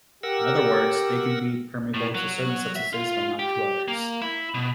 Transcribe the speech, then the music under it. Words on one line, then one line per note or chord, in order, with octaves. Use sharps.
In other words, they can be permeable to certain substances but not to others.
G4 A#4 F#5 E6
A2
F#3
E5
F4
G4
A#3
E4
B2